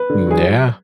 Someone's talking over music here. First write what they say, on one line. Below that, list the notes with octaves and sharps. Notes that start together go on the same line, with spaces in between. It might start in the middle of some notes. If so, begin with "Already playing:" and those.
Mm, yeah,
Already playing: B4
D3
F#3 G#4